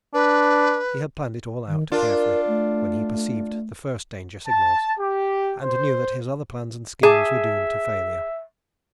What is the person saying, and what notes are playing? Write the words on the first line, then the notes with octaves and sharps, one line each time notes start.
He had planned it all out, carefully, when he perceived the first danger signals, and knew that his other plans and schemes were doomed to failure.
D4 B4
D#3
D4 F4 A#4
A3
A5
G4
C5
G#4 E5 A5